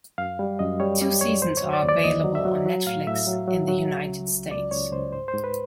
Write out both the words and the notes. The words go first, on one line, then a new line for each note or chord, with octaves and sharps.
Two seasons are available on Netflix in the United States.
F#2 F5
G3
F#2 D#5
G3 C#5
G3 D5
F#2 C#5
D#2 C5
C#5
F#3
D5
D#2
D5
D#2 D#5
F#3
E5
F#3
F#3
A2 F5
A2 E5
F#3
F#3
F#3
C#2
C#3
C#2
C#2 D5
C#2 C#5
C#2 C5
G#2 C5
C5
G#2
B4